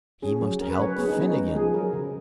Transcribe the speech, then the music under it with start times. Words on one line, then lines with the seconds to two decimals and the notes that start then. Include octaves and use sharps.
He must help Finnegan.
0.22 C#4 G#4
0.42 F#3
0.60 C#4 A#4
0.70 B4
0.79 F#3 C#5
0.89 B4
0.98 B3 G#4
1.08 D#4
1.17 F#3 C#4
1.27 D#4
1.36 G#3
1.55 F3 G#4
1.74 F#3 A#4
1.93 C#3